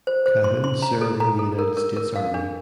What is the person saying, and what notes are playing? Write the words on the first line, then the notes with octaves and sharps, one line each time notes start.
Cahoon served in the United States Army.
C5
C5
C6
C6
A#5
A4
A#5
A4
A#4
A#4
A#4
F5
D4